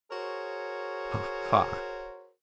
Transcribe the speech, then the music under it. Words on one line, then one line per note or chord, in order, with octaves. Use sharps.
Ha, ha!
F#4 G#4 A#4 C5 C#5